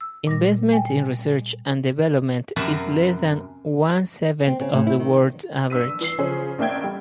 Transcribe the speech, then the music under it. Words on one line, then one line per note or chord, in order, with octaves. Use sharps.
Investment in research and development is less than one-seventh of the world average.
E6
A#2 G3 A#6
G5 G#5
F#2 C3 F#4 A#4 B4 A5
C4
C#3
A2
E4
D#3
G2 E6 B6 D#7
E3 E6 C7
C#3 F3 C#4 G#4 C5 C#5
A1 A#3 D4 E5 G5 G#6
G3